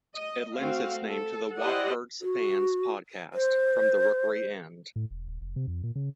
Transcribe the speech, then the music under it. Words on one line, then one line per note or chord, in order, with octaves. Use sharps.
It lends its name to the Watford fans' podcast, "From The Rookery End".
D#5
A3 C4 F#4 F5
A4
E4 G4 C5 D5 D#5 F#5
F#4
C5
A2
E1
D#1
F1
C3
F2
A#2
C#3